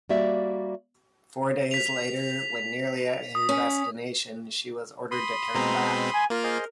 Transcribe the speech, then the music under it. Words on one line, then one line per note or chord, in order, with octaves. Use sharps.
Four days later, when nearly at her destination, she was ordered to turn back.
G3 A#3 F#4 D5 E5
B6 F7
D#6
C#4
B5 C6 D#6
B2 G#3 C4 A#5
G#5
A#3 F4 A#4
G#4 C5 D#5